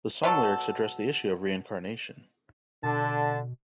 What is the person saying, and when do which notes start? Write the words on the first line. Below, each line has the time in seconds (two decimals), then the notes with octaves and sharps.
The song lyrics address the issue of reincarnation.
0.23 B2 F#3 A4
2.83 B2 D3 A5